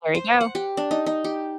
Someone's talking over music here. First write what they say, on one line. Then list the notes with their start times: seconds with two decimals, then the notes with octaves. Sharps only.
There you go.
0.15 C5
0.41 F#5
0.55 G4
0.77 D4
0.91 D#4
1.06 D#4
1.24 G4